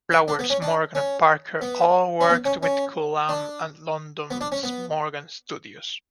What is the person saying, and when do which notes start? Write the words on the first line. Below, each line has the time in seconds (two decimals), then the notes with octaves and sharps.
Flowers, Morgan and Parker all worked with Coulam at London's Morgan Studios.
0.12 B4
0.28 D4
0.39 B3
0.50 C#4
0.62 D4
0.95 C#4
1.62 B3
2.21 C#4
2.29 B3
2.45 C#4
2.63 C#4
3.29 D4
4.31 B3
4.41 D4
4.52 C#4
4.63 B3